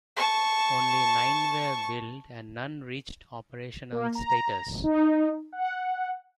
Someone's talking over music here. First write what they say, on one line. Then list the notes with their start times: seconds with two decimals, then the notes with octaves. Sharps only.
Only nine were built and none reached operational status.
0.17 A5 C#6
3.92 A#3
4.15 A#5
4.84 D#4
5.52 F#5